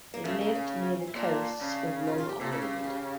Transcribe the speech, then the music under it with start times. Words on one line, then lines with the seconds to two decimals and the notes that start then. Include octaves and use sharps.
They lived near the coasts of Long Island.
0.14 A#3
0.25 C#3 A3
0.41 A#3
0.55 C#4
1.07 E4
1.15 A#2 D4
1.61 C#3
2.07 F4
2.18 F4
2.29 G4
2.41 A#2 A4
2.52 C#3 A4
2.62 G4
2.73 F4
2.84 G4